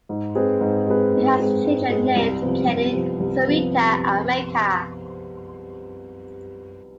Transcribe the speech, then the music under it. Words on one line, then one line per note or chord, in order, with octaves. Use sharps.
He has children named Kenny, Syreeta, and Micah.
G#2
G#3 C4 G#4 B4
G#2
G#3 C4 G#4 B4
G#2
G#3 C4 G#4 B4
G#2
G#3 C4 G#4 B4
C2
C3 F3 B3
C2
C3 F3 B3
C2
C3 F3 B3